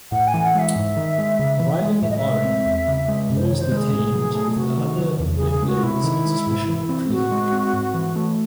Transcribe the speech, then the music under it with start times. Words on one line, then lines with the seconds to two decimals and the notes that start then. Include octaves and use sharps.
Arriving in Aren, Yil's detained with the other Red Blades on suspicion of treason.
0.12 A2 F#5
0.27 G#5
0.34 E3
0.44 F#5
0.55 G#3 E5
0.76 G#2
0.97 D#3
1.18 G#3
1.39 C#3
1.60 E3
1.81 G#3
2.02 A2 E5
2.10 D#5
2.17 E5
2.23 G#3
2.44 C4
2.66 E2
2.88 C#3
3.08 G#3
3.29 F#2
3.35 C5
3.45 C#5
3.51 D#3
3.57 C#5
3.61 C5
3.72 G#3
3.77 G#4
3.93 A2
4.14 F#3
4.35 A3
4.57 C3 F#4
4.77 D#3
4.99 F#3
5.20 E2
5.36 C#3 G#4
5.51 G#4
5.62 G#3 F#4
5.83 C3 E4
6.04 D#3
6.25 G#3
6.47 G#2
6.68 E3
6.89 C4
7.10 A2 F#4
7.31 G#3
7.52 C4
7.73 G#2
7.94 E3
8.16 A3